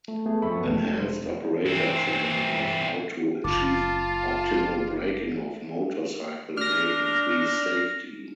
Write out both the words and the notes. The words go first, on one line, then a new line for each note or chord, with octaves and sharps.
Enhanced operator training of how to achieve optimal breaking of motorcycle may increase safety.
A3
A3 B3 G#4
F2 A4 E5 B5 C#6
F#2 B3
F1 A3
C3 C5
E3 C4
F#1 F4 A5 D6
D4 F6 A#6